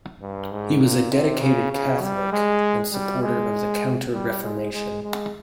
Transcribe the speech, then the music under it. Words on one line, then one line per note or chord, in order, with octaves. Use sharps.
He was a dedicated Catholic and supporter of the Counter-Reformation.
G2
G#2
A#2
C3
C#3
C#3
G3
G#3
G3
G#3
G3
G#3
G#3
G#3